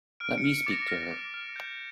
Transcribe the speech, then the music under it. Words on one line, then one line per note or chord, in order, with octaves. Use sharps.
Let me speak to her.
F6 D7
C#7
F6
D6 A6 A#6
F6 A#6
D6
F6
G6